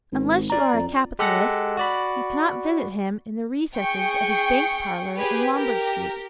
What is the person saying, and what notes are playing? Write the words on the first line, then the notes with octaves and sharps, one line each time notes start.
Unless you are a capitalist, you cannot visit him in the recesses of his bank parlour in Lombard Street.
G#1
D5 A#5
F2
G#3 G4 A4 F#5 F#6 A#6
F#4 D5 B5
G#4 G5 C#6
G4 G#4 B4 G#6
G4 A#4